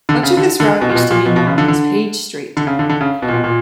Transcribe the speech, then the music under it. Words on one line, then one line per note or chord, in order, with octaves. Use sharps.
Much of this route used to be known as Page Street.
D3
C#3
D3
D3
B2
A#2
B2
A#2
B2
B2
C#3
D3
D3
D3
C#3
D3
D3
C#3
B2
A#2
B2
A#2